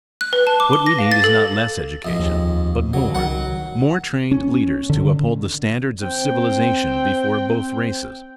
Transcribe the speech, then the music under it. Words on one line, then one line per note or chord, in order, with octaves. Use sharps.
What we need is not less education, but more; more trained leaders to uphold the standards of civilization before both races.
F#6
B4
A5
D6
G7
A#6
F5
A6
A4
F2 G#3
D#2
D2 C#3 F#3
C2 D#3 F#3 F#5
C#4
D3
C4 G5